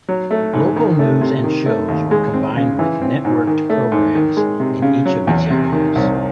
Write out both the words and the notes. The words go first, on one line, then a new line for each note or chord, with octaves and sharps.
Local news and shows were combined with networked programmes in each of its areas.
F#3
A3
G#2
D#3
A3
C3
D#3
A3
D#2
G#3
C4
C#3
E3
C4
G#2
D#3
A3
G#2
D#3
G#3
C3
C#3
F#3
E2
C3
D#3
C2